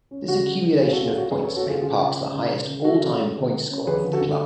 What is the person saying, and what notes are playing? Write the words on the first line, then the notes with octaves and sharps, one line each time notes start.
This accumulation of points made Parks the highest all-time points scorer for the club.
C#4
C#3 F#4
C#3
F#3
C#3 F4 G#4
F#4 A4
C#4
F4 G#4
F#3 F#4
C#4 G#4 B4
A4 C#5
C#4
F#4 A4
C#3 F4 G#4
C#3 F4 G#4
C#3
C#4
C#3
G#3
C#3
G#3 F#4 A4
C#4
G#3
D3
A3
C#4
F3 G#4 B4
D3
F#4 A4
D3